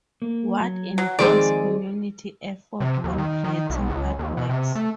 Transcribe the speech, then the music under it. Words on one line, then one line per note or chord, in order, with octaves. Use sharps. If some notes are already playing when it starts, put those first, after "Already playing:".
Watt involves community effort when creating artworks.
A#3
F#3
F#3
D#3 F3 G#3 C4 G#4 D5
C3
D#2
D#3
D#3
B1
C#2
D#2
B2
C3
A3